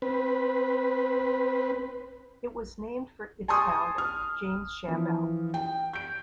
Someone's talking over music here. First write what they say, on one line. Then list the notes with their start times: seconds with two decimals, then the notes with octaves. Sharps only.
It was named for its founder, James Shambaugh.
0.02 C4 B4
3.48 G#5 A5 C6 C#6 D#6
3.98 F6
4.88 E3 F3
5.54 G5
5.93 G6 D7